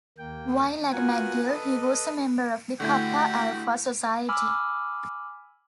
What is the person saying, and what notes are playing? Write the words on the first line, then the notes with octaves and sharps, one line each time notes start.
While at McGill he was a member of The Kappa Alpha Society.
D#2 A#3 G5
B3 F4 F#4 A#4 F#5 G#5
A4 B4 D#5
D3 A3 E4 F#4 G4 G5
G#5 B5 D6 E6 F6